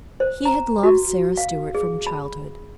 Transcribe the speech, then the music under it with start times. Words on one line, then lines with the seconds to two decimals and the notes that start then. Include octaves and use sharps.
He had loved Sara Stuart from childhood.
0.20 C5
0.45 A#5
0.83 F#4
1.37 F5
1.75 G#4
2.07 B5